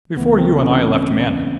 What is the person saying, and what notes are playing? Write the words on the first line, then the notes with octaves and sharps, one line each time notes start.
Before you and I left Manon.
C#2 C#3 E3 A3 B3
C4
C#4